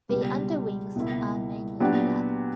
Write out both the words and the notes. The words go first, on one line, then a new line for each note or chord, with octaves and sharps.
The underwings are mainly black.
C#2 B2 G3
C#2 B2 A#3 E4
A#2 F#3 B3 D4 G4